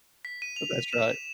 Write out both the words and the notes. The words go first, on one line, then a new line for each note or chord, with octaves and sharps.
but that's right.
B6
D#7
F7
E7